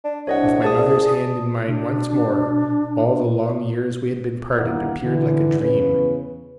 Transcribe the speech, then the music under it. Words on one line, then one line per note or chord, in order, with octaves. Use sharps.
With my mother's hand in mine once more, all the long years we had been parted appeared like a dream.
D4
C2 D4 C#5 D#5 F#5
G#4 D5 A5 D#6
B2 D4
G1 D#2 A#3 E4 F#5
D3 E3
E2 C#3 B4